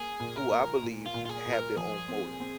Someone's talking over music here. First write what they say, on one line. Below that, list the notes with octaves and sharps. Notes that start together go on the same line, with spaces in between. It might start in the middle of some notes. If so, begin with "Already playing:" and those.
who I believe have their own motive.
Already playing: A#3 G#4
A#2
A#4
A#3
A#2
F4
A#2
F4
G#4
A#2
A#4
F3 G#4
C4
C4